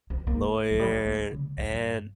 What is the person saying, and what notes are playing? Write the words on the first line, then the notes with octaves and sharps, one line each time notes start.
lawyer, and
C4
A#3
F3
G3
G#3
A#3
G#3
C#3
F2
G2